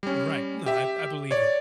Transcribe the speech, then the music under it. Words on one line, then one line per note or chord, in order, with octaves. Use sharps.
Right, no, I b I believe it,
G3 C#4
G4 E5
C#5 D5